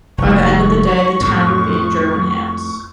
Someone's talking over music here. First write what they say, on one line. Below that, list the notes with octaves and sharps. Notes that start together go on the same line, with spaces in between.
By the end of the day, the town would be in German hands.
F1 D#2 C#6
F2 A2